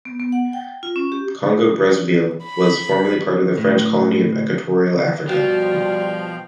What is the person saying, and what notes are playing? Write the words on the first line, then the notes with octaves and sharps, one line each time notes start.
Congo-Brazzaville was formerly part of the French colony of Equatorial Africa.
B3
B3
F#5
G5
F4
C#4
G4
B5
A2
B2 F3 G3 F#4 F5 G5